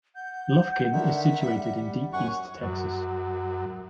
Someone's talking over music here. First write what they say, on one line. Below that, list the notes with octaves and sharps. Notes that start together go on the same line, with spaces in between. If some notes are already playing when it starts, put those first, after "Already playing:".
Lufkin is situated in Deep East Texas.
F#5 G6
D3 D#3 E5
G3
F#2 F#5 G#5 C#6
F#2